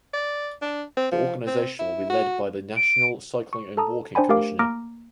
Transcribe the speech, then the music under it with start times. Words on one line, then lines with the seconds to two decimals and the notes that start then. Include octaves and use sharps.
The organisation will be led by the National Cycling and Walking Commissioner.
0.13 D5
0.62 D4
0.97 C4
1.12 F3
1.47 C4
1.79 E4
2.10 F#4
2.77 D7
3.53 C#6
3.77 A4 A5 A#5 D#6
4.15 D4 C5 D5 G5 G#5 B5
4.29 A3 G4 A#4 F5 D6
4.59 A#3 A#5 D6 F6 A#6 D7